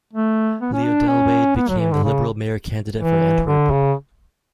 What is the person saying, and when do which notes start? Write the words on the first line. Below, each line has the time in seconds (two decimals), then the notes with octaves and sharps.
Leo Delwaide became the liberal mayor candidate for Antwerp.
0.13 A3
0.62 B3
0.73 C#4
0.85 D4
1.09 C#4
1.56 B3
1.68 F#3
1.80 E3
1.92 D3
2.04 C#3
2.99 E3
3.47 D3
3.71 C#3